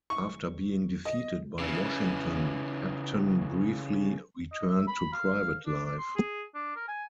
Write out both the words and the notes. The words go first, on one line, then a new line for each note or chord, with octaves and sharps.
After being defeated by Washington, Epton briefly returned to private life.
C#6
D#5
C#3 E3
D#5
E5
B5
F5
D4
D4
C6
G#4
D4
A#4
G#5